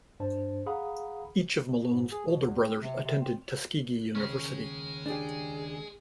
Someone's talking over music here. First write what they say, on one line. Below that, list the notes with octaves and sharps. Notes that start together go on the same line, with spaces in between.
Each of Malone's older brothers attended Tuskegee University.
G2 D4 C5 A5
G#4 F5 F#5 A#5 B5 D#6
G#2
G#4
B2
E2
C4
C3
C3
C4
D#2 C#3 G#3 C#4
D4 G4 G#4